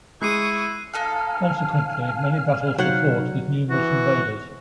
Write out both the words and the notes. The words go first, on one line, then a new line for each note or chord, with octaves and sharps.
Consequently, many battles were fought with numerous invaders.
G#3 E4 C#6 D#6 F#6 C7 D#7
D#4 A4 F5 G#5 F6 F#6
C3 F#3 D#4 C5 F5 F#5
E3 F#4